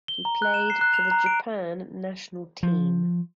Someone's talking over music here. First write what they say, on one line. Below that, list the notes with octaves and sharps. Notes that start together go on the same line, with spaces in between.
He played for the Japan national team.
G7
A#5
F#6
E7
C7
F#6
F7
A#5
D7
F3